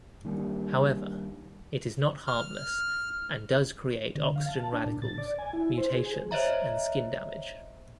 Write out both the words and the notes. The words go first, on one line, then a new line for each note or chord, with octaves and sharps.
However, it is not harmless and does create oxygen radicals, mutations and skin damage.
D#3 G3 A#3 D4
F6
D3
F5
A5
D4
A#2
A6
D5
G#5
E4
C5
G#4
C5 C#5 D#5 E5 A#5